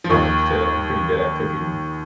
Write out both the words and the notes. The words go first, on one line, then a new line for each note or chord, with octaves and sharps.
kind of say I'm pretty good at cooking,
F3
D#2 D#3